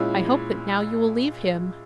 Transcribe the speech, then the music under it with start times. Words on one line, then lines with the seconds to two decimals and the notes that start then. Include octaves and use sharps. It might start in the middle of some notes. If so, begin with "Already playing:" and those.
I hope that now you will leave him.
Already playing: A#2 G#3 C#4 E4